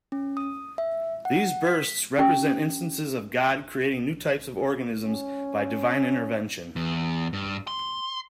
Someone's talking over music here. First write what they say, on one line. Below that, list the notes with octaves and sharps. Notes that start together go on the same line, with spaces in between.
These bursts represent instances of God creating new types of organisms by divine intervention.
C#4
D#6
E5
F#5
B6
C#4 G4 G5
C#4
E2
G2
C6